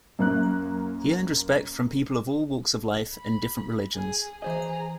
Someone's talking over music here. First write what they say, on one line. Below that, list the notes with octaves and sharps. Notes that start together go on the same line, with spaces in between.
He earned respect from people of all walks of life and different religions.
F#2 A#3 F#6
B5
G#4
E3 G#4 C5 D#5 A#5